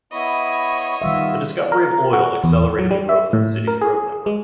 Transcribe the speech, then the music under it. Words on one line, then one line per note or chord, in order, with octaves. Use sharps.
The discovery of oil accelerated the growth of the city's road network.
B3 E4 C#5 D#5 B5
D#3 G3 B3 F4 E5
A#4
F#4
E2
F#3
G3
E5
A2
A#4
G#4
G#3